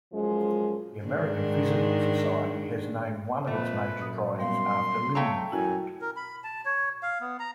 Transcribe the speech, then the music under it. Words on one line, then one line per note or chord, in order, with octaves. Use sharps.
The American Physical Society has named one of its major prizes after Lilienfeld.
F#2 F3 G#3
G#2 D#3 D4
F2 A#2 A3 A#3 B4
F#2 A#2 D#6
G3 B3 F5 C6
A3 C#5 F5 G5 A#5 E6
F#2 E4 F#4 G#5
A#4
B5
A5
C#5
F5
B3
A#5